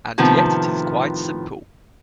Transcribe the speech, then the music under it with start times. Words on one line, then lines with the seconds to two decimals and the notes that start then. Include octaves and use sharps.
And yet it is quite simple.
0.18 A2 C3 D#3 F3 B3